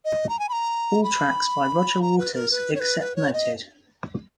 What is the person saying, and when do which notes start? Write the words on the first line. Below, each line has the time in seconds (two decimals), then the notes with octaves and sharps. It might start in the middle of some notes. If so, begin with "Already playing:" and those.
All tracks by Roger Waters except noted.
0.05 D#5
0.29 A#5
0.39 G#5
0.49 B5
0.52 A#5
1.03 B5
2.02 A#5
2.18 B4
2.34 A#4
2.51 B4
2.75 C#5
2.80 B4
3.00 B4
3.16 C#5
3.33 D#5